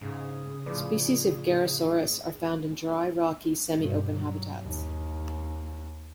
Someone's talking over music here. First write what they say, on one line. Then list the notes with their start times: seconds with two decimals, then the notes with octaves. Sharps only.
Species of "Gerrhosaurus" are found in dry, rocky semi-open habitats.
0.01 G#2 C#3 G#4
0.66 A2 F3 B4 D5
3.76 G2 B2
4.13 F#3
4.62 D#2